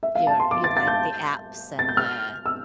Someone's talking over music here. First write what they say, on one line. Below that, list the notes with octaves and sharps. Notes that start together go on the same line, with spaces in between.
your you like the apps, and the
E5
F5
A5
C6
D6
A6
A6
G6
A6
G6
F6
E6